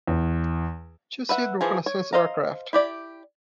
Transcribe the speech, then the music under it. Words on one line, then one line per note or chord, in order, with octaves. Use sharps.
Two-seat reconnaissance aircraft.
E2
B4 E5 F#5
E3 F3 G#4
C#5
C5 D#5 F5 A#5
E4 G4 D5